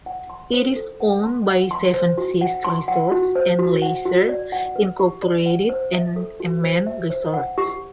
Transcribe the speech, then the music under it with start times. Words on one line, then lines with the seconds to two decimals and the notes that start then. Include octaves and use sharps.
It is owned by Seven Seas Resorts and Leisure, Incorporated and Aman Resorts.
0.06 F#5
0.30 C6
0.54 C5
0.76 A4
1.00 F#5
1.24 C6
1.47 F#5
1.71 C6
1.94 C5
2.18 F#4
2.41 F#5
2.65 C6
2.88 F#5
3.11 F#4
3.35 C5
3.59 F#4
3.82 F#5
4.05 F#4
4.29 D5
4.52 F#5
4.76 B4
4.99 G4
5.22 D5
5.46 F#5
5.69 C5
5.93 E5
6.16 A4
6.40 F#4
6.64 C5
6.87 E5
7.10 C5
7.34 F#5
7.58 G4